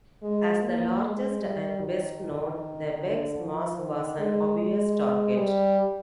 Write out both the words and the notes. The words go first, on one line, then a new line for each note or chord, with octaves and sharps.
As the largest and best known, the Beg's mosque was an obvious target.
G#3
A#3
G#3
G3
D#3
D3
F3
D#3
G#3
G#3
G3